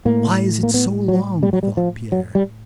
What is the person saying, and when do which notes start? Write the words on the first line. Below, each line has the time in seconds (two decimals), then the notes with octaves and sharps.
"Why is it so long?" thought Pierre.
0.05 A2 A#3
0.63 A#3
0.74 B3
1.08 F#3
1.43 G3
1.53 F#3
1.63 G3
1.77 F3
2.12 F#3
2.35 G3